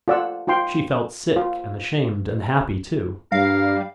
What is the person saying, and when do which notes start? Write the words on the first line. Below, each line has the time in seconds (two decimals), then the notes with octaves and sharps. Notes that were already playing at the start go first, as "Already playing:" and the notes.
She felt sick and ashamed and happy, too....
0.08 F4 A4 D5 F#5 E6
0.47 D#4 F4 G5 C6
1.36 F4
3.32 G2 G3 A#4 F5